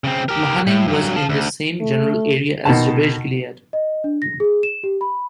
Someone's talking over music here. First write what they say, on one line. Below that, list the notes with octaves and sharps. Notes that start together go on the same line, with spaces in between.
Mahanaim was in the same general area as Jabesh-gilead.
C#3 C4
G4 A#4
A2
G2 F#3
F5 A5
D2
A3
B2 D#3 A5
D#5
D4
A#6
G#4
E7
G4
B5